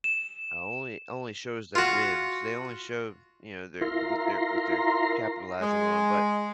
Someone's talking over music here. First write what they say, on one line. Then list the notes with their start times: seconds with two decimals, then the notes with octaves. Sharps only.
only only shows their wins. They only show, you know, their what they're what they're capitalizing on, but
0.04 E7
1.75 F4 F#4
3.81 E4 F4 A#4 A#5 C6
5.61 G#3